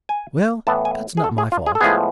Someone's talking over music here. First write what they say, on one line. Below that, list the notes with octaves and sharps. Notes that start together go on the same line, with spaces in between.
"Well, that's not my fault."
G#5
A2 E3 B3 A5
G#5
G#4
A4
G#4
F4
G#4
A4
A2 F3 G#3 B3 G#4